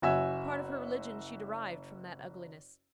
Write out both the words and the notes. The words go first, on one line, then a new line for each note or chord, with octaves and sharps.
A part of her religion she derived from that ugliness.
F#1 F#4 E5 G#5 E6